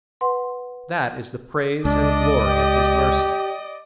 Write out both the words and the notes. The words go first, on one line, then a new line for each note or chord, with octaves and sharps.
That is the praise and glory of His mercy.
B4 F#5 C6
C#2 D4 D5 D#5
G4